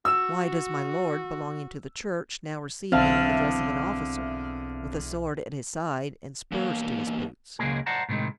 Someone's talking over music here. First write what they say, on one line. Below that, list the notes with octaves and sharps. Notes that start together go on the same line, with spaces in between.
"Why does my lord, belonging to the church, now receive me in the dress of an officer, with a sword at his side and spurs to his boots?"
F#4 E6 E7
B1 E2 D3 C4 E5 F5 A5 F6
E2 A#3
C#2 C#3 F#3 G#3 A#3 G#4
C5 D5 F#5 A5 A#5
A2 C3 D#3 F#3 G#3